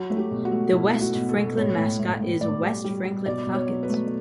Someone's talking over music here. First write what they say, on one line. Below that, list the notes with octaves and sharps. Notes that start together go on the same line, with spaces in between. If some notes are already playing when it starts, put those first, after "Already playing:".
The West Franklin mascot is West Franklin Falcons.
Already playing: F#3 F#4
A3
G4
B2
F#4
A3
B2 E4
A3
F#4
B2
A4
B2
A2 C#5
A2
A2
A2
A2 D5
G3
G3
G3
B2 D5
B2
C#5
F#3
B4
A3